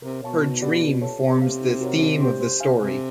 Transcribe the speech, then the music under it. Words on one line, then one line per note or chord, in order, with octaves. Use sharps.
Her dream forms the theme of the story.
C3 A#4
B2 C#5 F5 A5 C#6
D#4
G4 B4 D5 F#5
F4
A4 C#5 F5 A5
C3 G4
C5 F5
D#4
F#4 A#4 C#5
D4
G4 C5
C5
F5 G#5
C3 A4